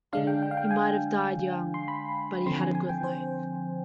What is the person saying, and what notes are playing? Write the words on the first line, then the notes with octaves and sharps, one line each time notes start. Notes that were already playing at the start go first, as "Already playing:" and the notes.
He might have died young, but he had a good life.
D3 G#3 D4 F5
G5
G5
F5
G5
G#5
C6
B5
D3 F3 C4 C6
G#5
G#5
G5
C5